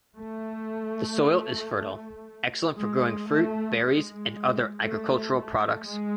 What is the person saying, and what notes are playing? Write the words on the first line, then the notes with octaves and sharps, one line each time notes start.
The soil is fertile, excellent for growing fruit, berries and other agricultural products.
A3
G#3
A3
G#3
A3
A3
G#3